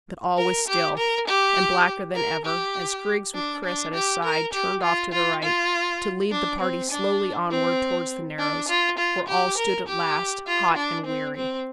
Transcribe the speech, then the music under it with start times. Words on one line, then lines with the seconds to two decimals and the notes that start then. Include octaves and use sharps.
But all was still, and blacker than ever, as Griggs with Chris at his side turned off to the right, to lead the party slowly onward towards the narrows, where all stood at last, hot and weary.
0.38 A#4
0.68 G4
0.97 A#4
1.28 G4
2.15 A#4
2.46 G4
3.34 D4
3.65 D4
3.94 G4
4.24 A#4
4.53 G4
4.83 F4
5.13 F4
5.42 F4
6.31 D4
6.60 C4
6.90 D4
7.51 C4
8.39 D4
8.68 F4
8.98 F4
9.28 G4
9.58 A#4
9.88 G4
10.47 F4
10.76 D4
11.06 C4
11.36 C4